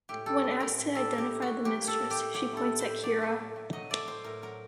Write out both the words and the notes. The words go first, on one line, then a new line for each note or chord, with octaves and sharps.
When asked to identify the mistress, she points at Kira.
A2 G4
G3 A4
A#3
A2 A#4
A2
G3 A4
A#3
G4
A2
F#4
A2
G3 G4
A#3
A4
A2
G4
A2
F#3 G4
A3 A4
A2
C5
A2
F#3 D5
A3
A2
A2
F#3 D#5
A3 D5
A2 C5
A2 A#4
F#3 A#4